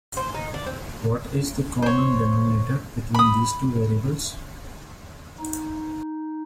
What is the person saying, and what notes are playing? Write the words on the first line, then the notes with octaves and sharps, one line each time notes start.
What is the common denominator between these two variables?
C5
D#4
D4
C4
C5 C#5
B5 D#6
D#4